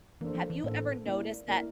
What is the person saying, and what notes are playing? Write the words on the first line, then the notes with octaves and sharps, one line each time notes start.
have you ever noticed that
E3 A#3 D4 A4 C5
F3
E3
A2 A#3 D4 A4 C5
A#3 E4 A#4 D5
A#3 E4 A#4 D5